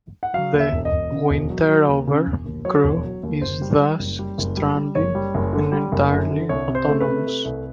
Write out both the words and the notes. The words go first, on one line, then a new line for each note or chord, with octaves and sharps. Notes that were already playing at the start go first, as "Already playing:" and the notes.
The "winterover" crew is thus stranded and entirely autonomous.
F#5
F#3 F5
D#2
E5
E1
D#5
E1
C#3
E1
F#3
F#3
D#2
C#3
E1
D#2
F#3 C#5
E1
F#3
D#2
F#1 C5
G3
G3
F#1
G3
F#1
G3
G3
F#1 C#5
G3
F#1
D3
G3
F#1
F#2
D3
C2 C#5
C3
C5
A3
B4
C3
A3
C2